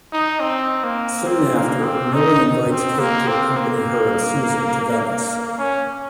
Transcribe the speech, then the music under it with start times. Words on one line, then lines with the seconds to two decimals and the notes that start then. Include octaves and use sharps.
Soon after Milly invites Kate to accompany her and Susan to Venice.
0.13 D#4
0.40 C4
0.84 A#3
1.27 C4
1.56 A#3
1.84 C4
2.14 D#4
2.71 C4
2.99 A#3
3.28 C4
3.57 A#3
5.58 C#4